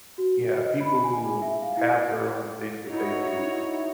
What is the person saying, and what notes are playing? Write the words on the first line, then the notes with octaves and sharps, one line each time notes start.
Yeah, people who have their own thing that they do,
F#4
D#5
B5
G#5
G#4
E5
F5
E4
D#4 E4 F#4 C#5